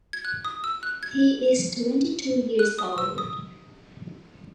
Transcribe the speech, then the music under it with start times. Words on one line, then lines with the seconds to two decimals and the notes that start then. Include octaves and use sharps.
He is twenty-two years old.
0.13 G#6
0.25 F#6
0.45 D#6
0.64 E6
0.83 F#6
1.03 G#6
2.59 F#6
2.79 D#6
2.98 E6
3.18 D#6